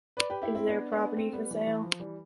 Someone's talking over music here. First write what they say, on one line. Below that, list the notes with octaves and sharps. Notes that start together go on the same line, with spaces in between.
Is there a property for sale?
B4 D5
G4 B4
E4 G4
C4 E4
B3 D4
B3 D4
A3 C4
G3 B3
E3 G3
E3
F3
E3 G3